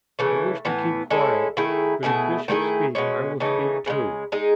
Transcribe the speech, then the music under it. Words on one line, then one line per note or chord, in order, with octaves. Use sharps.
I wish to keep quiet; but if Bishops speak, I will speak too.
C#3 E3 A3
A2 E3 B3
G#3 C#4 E4 A4
D#3 A3 E4 G#4
B2 A3 E4 G#4
D#3 A3 E4 G#4
B2 G#3 C#4
C#3 E3 A3 D#4
C#3 E3 G#3
G#3 D#4 G#4